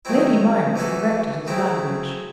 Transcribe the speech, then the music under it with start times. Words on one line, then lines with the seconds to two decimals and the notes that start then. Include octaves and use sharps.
Lady Myrie corrected his language.
0.05 D#3 F#3 A3 C4 E4
0.76 E3 A3 C#4 F#4 A4
1.47 C#3 F#3 A3 C4 E4